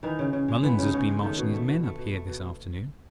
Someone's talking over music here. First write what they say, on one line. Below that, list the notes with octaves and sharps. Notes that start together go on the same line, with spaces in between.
Mullins has been marching his men up here this afternoon.
D#3 E3 D#4
C#3
C#3
G#3
E3 B3
C#3 D#4
C#3 C#4
G#3
D#3 A3 D#4
B2
A3
B2
A3
B2
A3
B2